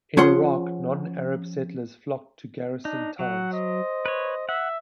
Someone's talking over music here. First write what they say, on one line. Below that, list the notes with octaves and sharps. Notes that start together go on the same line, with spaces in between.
In Iraq, non-Arab settlers flocked to garrison towns.
F3 C#4 G#4 F#5 C6
D4 D#4
F#3 F#5
C5 D#5
B4 C#5
E5 F#5